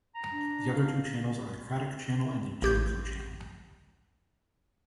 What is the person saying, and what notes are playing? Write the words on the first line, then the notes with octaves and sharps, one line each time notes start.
The other two channels are the Cradock Channel and the Jellicoe Channel.
A#5
D4
F5
A1 G4 G6